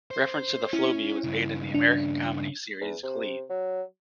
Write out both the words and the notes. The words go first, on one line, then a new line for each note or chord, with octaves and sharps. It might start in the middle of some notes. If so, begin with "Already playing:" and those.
Reference to the Flowbee was made in the American comedy series Glee.
C5
C#4 E4
G2 C#3
D4
E2
C3
F#3